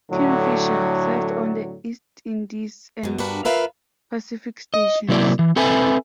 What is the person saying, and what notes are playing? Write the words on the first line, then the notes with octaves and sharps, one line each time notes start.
"Kingfisher" served on the East Indies and Pacific Stations.
A2 D3 F#3
F#2 B2
G2 D4 F#4 A#4 B4
F4 A#4 B4 E5 F5
D#5
C3 F#3 A#3 E4 D5
E3
C4 A4 B4 E5 G#5